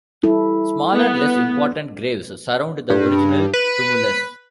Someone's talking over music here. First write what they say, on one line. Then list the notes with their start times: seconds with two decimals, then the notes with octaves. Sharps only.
Smaller less important graves surround the original tumulus.
0.23 G3 E4 A4
0.94 B3
2.90 G2
3.54 B4